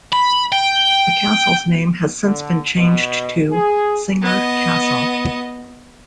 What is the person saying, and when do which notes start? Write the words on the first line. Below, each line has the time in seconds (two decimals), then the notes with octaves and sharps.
The castle's name has since been changed to "Singer Castle".
0.13 B5
0.52 G5
2.23 D3
2.76 B2
3.52 G#4
4.22 B3 D#5